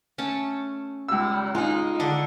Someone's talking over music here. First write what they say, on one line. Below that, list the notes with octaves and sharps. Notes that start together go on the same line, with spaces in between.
um, and
A3 C#4 A5
C#2 E6
G#3 D#4 F4
D3 D4 A4